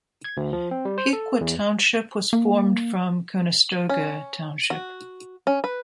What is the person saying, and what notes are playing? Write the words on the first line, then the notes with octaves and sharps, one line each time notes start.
Pequea Township was formed from Conestoga Township.
G#6
D2
F3
C4
G3
C5
A4
E2
A#3
C#4
F#4
C#4
B4